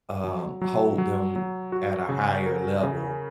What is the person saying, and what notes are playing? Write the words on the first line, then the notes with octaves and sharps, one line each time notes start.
um, hold them at a higher level
F#3
F#3
F#3
F#3
F#4
C#3
A#4
C#3